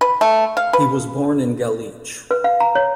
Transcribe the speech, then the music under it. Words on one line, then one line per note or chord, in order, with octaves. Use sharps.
He was born in Galich.
B4
A3
F5
B4
B4
F5
A#5
C#5